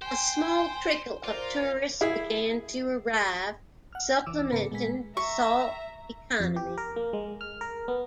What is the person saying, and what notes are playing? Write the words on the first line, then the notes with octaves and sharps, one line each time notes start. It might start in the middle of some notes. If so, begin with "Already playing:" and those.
A small trickle of tourists began to arrive, supplementing the salt economy.
C5 G5 G#5 C6
F4 A#4 C5 D5
E4 G#4
F#5 F6
C2 E3 D6 E6
G#2 C#3 B3 A4 A#5 C#7
A#2 G#3 A#3 B3 G#5 B6
E5 A#5 C#6
F2
G4
A#4
A#3
G#3
F6
A#4
B3